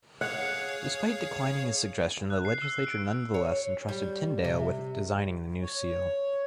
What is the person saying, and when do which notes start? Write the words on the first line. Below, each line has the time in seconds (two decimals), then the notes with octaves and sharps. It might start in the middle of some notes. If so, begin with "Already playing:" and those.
Despite declining his suggestion, the legislature nonetheless entrusted Tyndale with designing the new seal.
0.21 G#4 C#5 F5 F#5
2.30 F#6
2.45 C7
2.62 E6
2.87 D7
3.34 C#5
3.89 G3
4.44 C3
5.62 C#5